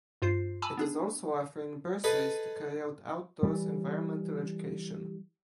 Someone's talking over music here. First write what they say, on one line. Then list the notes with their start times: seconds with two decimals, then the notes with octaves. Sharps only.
It is also offering bursaries to carry out outdoors environmental education.
0.22 G2 F4 C5 C7
0.62 G#5 A5 B5 D6 E6
0.77 B3 D4 G#4
2.04 G#4 A4 B4 D#5
3.43 E3 G3